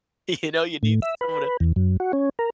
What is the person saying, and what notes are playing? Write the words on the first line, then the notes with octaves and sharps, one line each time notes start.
You know, you need someone to
A2
E5
B4
E2
F#2
F#4
C#4
A#4